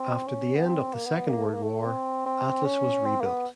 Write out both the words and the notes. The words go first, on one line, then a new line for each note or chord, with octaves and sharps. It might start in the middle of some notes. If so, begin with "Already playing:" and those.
After the end of the Second World War, Atlas was rebuilt.
Already playing: C4
C#4
B3
C4
A#3
B3
A#3
A3
A#3
A3
C4
C4
C#4
C4
A#3
B3